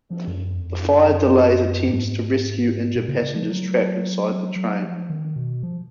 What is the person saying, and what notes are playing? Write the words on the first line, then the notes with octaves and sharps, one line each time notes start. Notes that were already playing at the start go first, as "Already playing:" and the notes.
The fire delayed attempts to rescue injured passengers trapped inside the train.
F3
F#2
F2
F#2
G#2
A#2
C#3
C#3
F3
F#3
F#3
F3
D#3
B2
F3